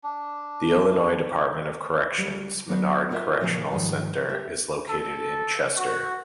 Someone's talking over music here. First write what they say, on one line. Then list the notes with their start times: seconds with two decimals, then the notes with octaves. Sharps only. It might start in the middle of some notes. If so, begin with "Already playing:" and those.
The Illinois Department of Corrections Menard Correctional Center is located in Chester.
0.04 D4
2.18 G3
2.68 F#3 B3 D4 F#4 G#4 B4
3.10 B3 E4 F4 A#4 D#5 E5
3.40 A#2 C#3 F3 A#3 F4 G#4
3.70 G#2 D#3 F3 G3
4.29 G4 E5
4.89 A4
5.76 F#4